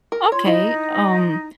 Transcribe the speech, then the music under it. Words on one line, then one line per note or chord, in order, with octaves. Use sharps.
Okay. Um,
A#4
F4 C#5 C6
D#4 E4 D#5